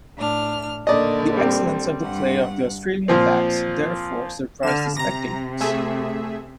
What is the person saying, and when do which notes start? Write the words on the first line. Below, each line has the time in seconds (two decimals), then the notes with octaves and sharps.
The excellence of the play of the Australian backs therefore surprised the spectators.
0.17 A2 D4 F6
0.87 A#2 D3 D#3 D5 D#5
1.37 G3 C4
2.01 G2 F#5
3.08 A#2 F3 C4
4.63 D3 F6 E7
4.97 C3 A#5 A#6
5.61 A3 G#4 E5